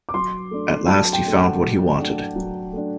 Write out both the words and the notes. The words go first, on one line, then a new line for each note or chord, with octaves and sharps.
At last he found what he wanted.
D6
F#3 C6
A3 D4
F#3 A5
G5
A3 D4
F#5
F#3
A3 D4
F#3
A3 D4